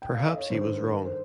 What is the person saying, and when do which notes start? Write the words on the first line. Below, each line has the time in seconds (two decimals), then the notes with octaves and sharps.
Perhaps he was wrong.
0.02 G5
0.14 F5
0.26 D#5
0.38 C#5
0.50 G2 D#3 C5
0.78 A#4
1.05 C5